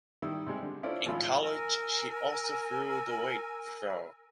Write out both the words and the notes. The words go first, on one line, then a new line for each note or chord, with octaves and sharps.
In college she also threw the weight throw.
D#3 G3 E4 E6
C3 G3 G#3
D3
C#4 E4 F4 A4 C5 D5
G#1 A2 F3 F4 B5 E6
A#4 G#5 E6